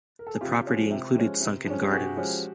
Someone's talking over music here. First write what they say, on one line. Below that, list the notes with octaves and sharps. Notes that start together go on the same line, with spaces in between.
The property included sunken gardens.
A#4
A4
G#4
C3 F4 G4
F3 G#3 C#4
C3
F3 G#3 C#4
C3
F3 G#3 C#4
G4
C3 F#4 G#4
F3 G#3 C#4